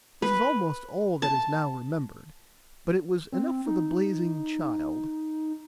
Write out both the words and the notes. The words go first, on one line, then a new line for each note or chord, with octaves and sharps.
This is almost all that is now remembered, but it was enough for the blazing child.
B4
A5
C4
D#4